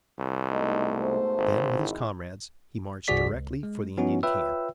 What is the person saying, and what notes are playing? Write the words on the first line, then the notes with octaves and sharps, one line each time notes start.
Then, with his comrades, he marched directly for the Indian camp.
C2
G#2 B2 A3 D#4
C5
G#1
D#3 G#3 E4
C2 G2 F#4 G#4 D5 B6
C#2
G#3
F3 B3 C#4 D#4 E4 F#4
F4 B4 C#5 E5 G5 E6